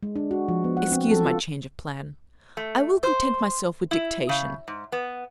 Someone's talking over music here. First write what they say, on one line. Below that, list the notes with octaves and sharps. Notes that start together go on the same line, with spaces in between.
Excuse my change of plan. I will content myself with dictation.
G#3
D4
F#4
F3
B3
F#5
C4
A4
F4
A3
C5
E4
C#3
G#2
B3